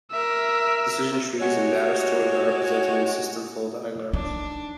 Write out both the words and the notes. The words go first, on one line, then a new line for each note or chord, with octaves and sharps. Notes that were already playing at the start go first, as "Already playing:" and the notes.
Decision trees and data storage are represented in system flow diagrams.
A#4 E5
G#3 F#4 G4 C#5
D4 D#4